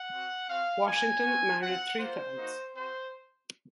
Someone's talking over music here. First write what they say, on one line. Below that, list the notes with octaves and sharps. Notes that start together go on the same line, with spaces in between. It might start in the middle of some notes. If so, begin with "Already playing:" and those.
Washington married three times.
Already playing: F#5
C4 F#4
C4 F#4 F5
A#3 F4 G#5
C4 F#4
C4 F4 F#5
A#3 F4 C5
A#3 D#4 F#4
C4 F#4 C5